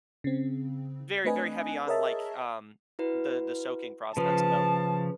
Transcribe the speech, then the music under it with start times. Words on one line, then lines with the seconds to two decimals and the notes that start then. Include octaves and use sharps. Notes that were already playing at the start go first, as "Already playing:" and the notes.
Very, very heavy on, like, um, the the soaking process, so
0.24 C#3 C4
1.24 A3 C4 D4 B4 D#5 G#5
1.87 G#4 A#4 C#5 D#5 E5 A5
2.99 E4 F#4 B4
4.17 C#3 F3 B4 A5